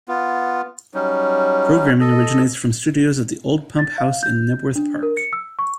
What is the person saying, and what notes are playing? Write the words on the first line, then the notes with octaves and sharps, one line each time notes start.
Programming originates from studios at the Old Pump House in Knebworth Park.
B3 F4
F#3 G3 C#4 D#4
A4 D#5
A6
F5
G6
D4
A#4
C#7
E6
C#6